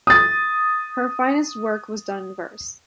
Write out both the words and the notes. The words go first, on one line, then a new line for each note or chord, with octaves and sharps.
Her finest work was done in verse.
D#6 A6